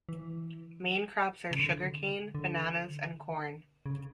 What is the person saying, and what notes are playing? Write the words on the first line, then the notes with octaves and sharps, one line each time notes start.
Main crops are sugar cane, bananas and corn.
E3
C#3
D3
D3
C#3